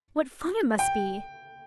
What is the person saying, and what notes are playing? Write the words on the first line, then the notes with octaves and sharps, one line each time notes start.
"What fun it must be!"
G5